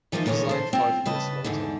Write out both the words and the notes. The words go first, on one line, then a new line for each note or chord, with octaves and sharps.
He resigned five years later.
E3 F3 A#3 B3 D#4 F4
A#2 D3 E3 C#5 D#5
A4 C5
C4 F4
C#3 B4 D#5 A5
E2 G#2 D3